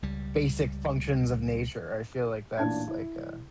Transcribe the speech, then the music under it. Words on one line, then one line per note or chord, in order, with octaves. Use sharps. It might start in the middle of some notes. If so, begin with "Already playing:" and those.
basic functions of nature, I feel like that's, like, a
C#2 G3
A1 A#2 D4 A5 G#6
E4